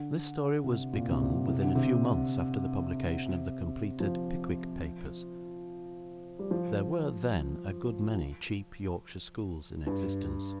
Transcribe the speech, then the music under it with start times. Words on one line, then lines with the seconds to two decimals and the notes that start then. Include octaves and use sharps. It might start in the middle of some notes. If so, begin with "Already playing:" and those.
This story was begun, within a few months after the publication of the completed "Pickwick Papers." There were, then, a good many cheap Yorkshire schools in existence.
Already playing: D3
0.64 C3
0.93 A#2
1.11 C3
1.21 A#2
1.48 C3
1.61 D3
1.75 C3
4.00 F3
6.39 G3
6.51 F3
9.87 G2